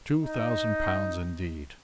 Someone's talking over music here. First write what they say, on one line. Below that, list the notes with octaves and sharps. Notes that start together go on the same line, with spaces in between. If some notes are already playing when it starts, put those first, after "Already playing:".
Two thousand pounds indeed!
D#4